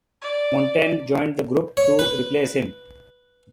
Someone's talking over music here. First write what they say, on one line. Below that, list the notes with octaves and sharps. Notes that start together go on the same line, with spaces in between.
Montaigne joined the group to replace him.
D5
C#5
B4